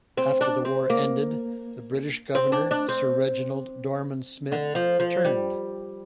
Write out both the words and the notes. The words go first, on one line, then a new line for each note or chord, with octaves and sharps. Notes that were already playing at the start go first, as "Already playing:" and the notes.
After the war ended, the British Governor, Sir Reginald Dorman-Smith returned.
C4
D4
C4
A#3
C4
D4
D4
C4
D3
F3
F3
G3